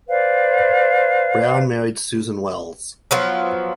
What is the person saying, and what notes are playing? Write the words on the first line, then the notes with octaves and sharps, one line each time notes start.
Brown married Susan Wells.
B4 C5 D5 F5
F3 F#3 B3